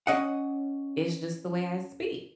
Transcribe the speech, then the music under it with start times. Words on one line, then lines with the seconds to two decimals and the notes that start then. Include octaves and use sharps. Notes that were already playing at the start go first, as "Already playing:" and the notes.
"It's just the way I speak,"
0.07 C#4 D#5 F#5